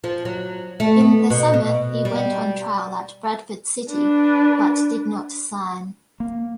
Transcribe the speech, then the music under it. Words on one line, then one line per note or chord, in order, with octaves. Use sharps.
In the summer he went on trial at Bradford City, but did not sign.
F3
F#3
A3
B3
B2
B2
G3
D4 B4
A#3